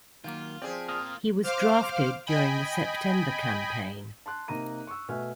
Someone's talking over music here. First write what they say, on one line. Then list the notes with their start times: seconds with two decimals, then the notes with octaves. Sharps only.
He was drafted during the September campaign.
0.24 D#3 F#3 A#3 F4
0.62 F3 C4 G#4 D5
0.88 A#3 F4 D#6 F6
1.43 C5 F5 D6 F6
2.26 D#5 G5 G#5 B5
4.26 A5 C6 F#6
4.48 C3 A#3 D#4 A#5 D#7
4.87 C#6 E6
5.09 B2 A3 E5 G#5 F6